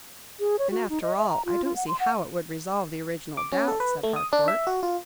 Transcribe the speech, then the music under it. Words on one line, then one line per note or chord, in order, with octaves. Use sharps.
"And, after all, I don't see how it would resolve the original doubt," said Harcourt.
G#4
C#5
F#4
D#4
D#5
E5
A#5
F4
F4
F#5
C6
F#5
D6
C#4
A4
B4
A3
D#6
D4
E5
F#4
F4